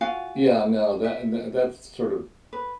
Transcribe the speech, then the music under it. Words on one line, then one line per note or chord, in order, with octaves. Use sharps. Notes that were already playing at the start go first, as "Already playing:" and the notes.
Yeah, no, tha and tha that's sort of
F4 F#4 F5 G#5
E5
B4